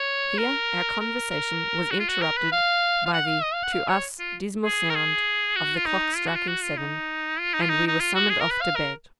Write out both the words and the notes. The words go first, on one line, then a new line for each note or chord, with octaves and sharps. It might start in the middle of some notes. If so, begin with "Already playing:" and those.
Here our conversation was interrupted by the, to us, dismal sound of the clock striking seven, and we were summoned off to bed.
Already playing: C#5
A#4
A#4
A#4
F#4
F4
F#4
A#4
B4
F5
F5
F#5
F5
D#5
F5
F#5
F5
C#5
F4
G#4
A#4
G#4
F#4
F4
D#4
F4
F#4
F4
F#4
F4
D#4
F4
D#4
F4
D#4
D#4
F4
F#4
G#4
A#4
B4
F5
A#4